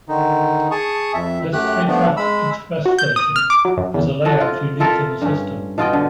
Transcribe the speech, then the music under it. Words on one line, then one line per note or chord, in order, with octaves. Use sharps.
This three-track express station has a layout unique in the system.
D3 D#3 D#4
G#4 A5 C#6 D#6
F2 E5
F#2 A3 G4 F#6
F3 A3 B3 D4
G#3 B5 E6
F#4
G6
D#6
F6
D6
F#3
F#2
E2
F#4 A4 D#5
F4
F4 A4 A#4 E5
G2 C#4
B2 F4 D#5 G5
D3